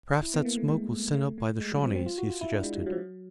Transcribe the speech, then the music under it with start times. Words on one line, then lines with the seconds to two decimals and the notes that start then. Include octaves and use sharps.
"Perhaps that smoke was sent up by the Shawnees," he suggested.
0.22 E4
0.34 B3
0.45 A#3
0.57 A3
0.68 G#3
1.14 A3
1.38 A3
1.60 G#3
1.72 F#3
1.84 C4
1.95 C4
2.06 F4
2.18 F#4
2.30 F4
2.41 E4
2.52 D4
2.63 G#3
2.75 G3
2.86 F#3
2.92 F3
2.98 F#3